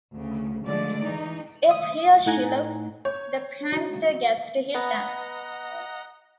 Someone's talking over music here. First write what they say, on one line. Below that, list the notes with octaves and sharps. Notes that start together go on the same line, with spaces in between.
If he or she looks, the prankster gets to hit them.
D2 C#3
D3 F3 G#3 A3 D5
E3 D#4
E5 D#6
A2 D#4 F#5 G#5 A#5
C#5 G6
D4 D#4 F#4
B3 D#5 F#5 A#5